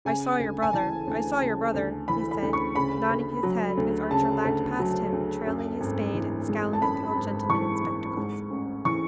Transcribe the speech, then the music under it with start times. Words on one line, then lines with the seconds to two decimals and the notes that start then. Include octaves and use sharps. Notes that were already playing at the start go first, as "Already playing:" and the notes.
"I saw your brother--I saw your brother," he said, nodding his head, as Archer lagged past him, trailing his spade, and scowling at the old gentleman in spectacles.
0.05 C#3 G#5
0.40 D2
0.62 G#5
0.73 E3 A5
1.07 D2
1.41 C#3
1.74 D2
2.08 E3 B5
2.31 B5
2.43 D2
2.53 C#6
2.75 C#3 B5
3.10 D2
3.43 F#3
3.78 D2
4.11 C#3 A5
4.45 D2
4.80 F#3
5.13 D2
5.47 F#2
5.80 G#1
6.14 E3
6.49 G#3
6.73 A5
6.81 F#2 B5
7.15 G#1
7.49 E3 C#6
7.83 G#3
8.17 G#2
8.51 A1
8.85 E3 C#6